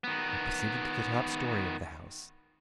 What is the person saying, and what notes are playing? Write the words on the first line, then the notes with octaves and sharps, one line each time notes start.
We proceeded to the top-storey of the house.
D#3 B3